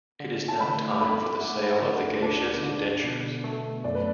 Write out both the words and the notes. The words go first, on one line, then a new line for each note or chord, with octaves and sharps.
It is now time for the sale of the geishas' indentures.
D3
A5
A3 B5
D6
A3 B5
A3 F#5
F#5
E5
D2 A4
B4
D4 B4
D3
B2
A3
F#2 D5
B4